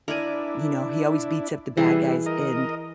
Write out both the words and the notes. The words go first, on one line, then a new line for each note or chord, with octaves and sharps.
you know, he always beats up the bad guys in
D4 E4 A#4 D5 G#5
E3 G3 E4 G#4
A#4 D#5